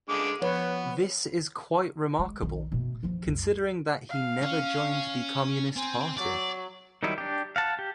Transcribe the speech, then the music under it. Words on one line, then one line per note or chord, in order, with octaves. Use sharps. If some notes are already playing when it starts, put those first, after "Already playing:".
This is quite remarkable, considering that he never joined the Communist Party.
D3 G#3 D6
F3 B3 B4 C#5
G#3
B1 D#3
B2 A3
E3 F3
C#2 F#2
F5
C#4
C4 C5 G#5
F#3 D5
D#3 F#3 G3 D#4 E4
D4 G4
F5 F#5 A5
G4